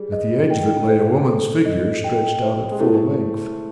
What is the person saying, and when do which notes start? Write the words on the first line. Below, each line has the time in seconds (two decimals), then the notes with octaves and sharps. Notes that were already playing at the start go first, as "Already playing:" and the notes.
At the edge of it lay a woman's figure stretched out at full length.
Already playing: G3 G#4
0.12 D#5
0.50 G5
0.89 C5
1.27 A4
1.66 D#5
2.04 G5
2.42 C5
2.71 G#3
2.80 A3 E4